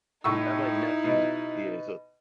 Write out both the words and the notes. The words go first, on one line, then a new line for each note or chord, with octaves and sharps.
I have, like, nephews. Yeah, so
A2 D#4 E4 C#6 E6
B2